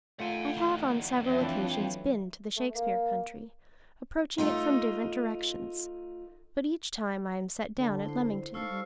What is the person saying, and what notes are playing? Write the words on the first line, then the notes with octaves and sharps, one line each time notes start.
I have on several occasions been to the Shakespeare country, approaching it from different directions, but each time I am set down at Leamington.
D#2 A3 F4 F#5 G#5
E2 D#3
F2 C#5 E5
E3 A3 D4 F4
F#3
A3
A#3
A3 D#4 F4
D3
E4 C5
D#4 A4 C5 F5 C#6
G3